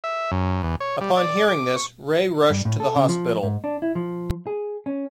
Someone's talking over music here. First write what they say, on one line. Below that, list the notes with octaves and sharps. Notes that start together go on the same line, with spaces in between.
Upon hearing this, Ray rushed to the hospital.
E5
F#2
E2
C#5
G3
D5
D6
C#6
G2
A2
A4
C#3
F3
G#2
D4
E4
F3
G#4
C#4